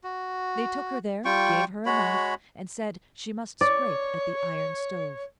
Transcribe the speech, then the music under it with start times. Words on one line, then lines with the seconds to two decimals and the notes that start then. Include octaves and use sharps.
They took her there, gave her a knife, and said she must scrape at the iron stove.
0.04 F#4
1.25 G3 F4 G5 C#6
1.86 G#3 F#4 C#5 B5
3.61 C#5 D5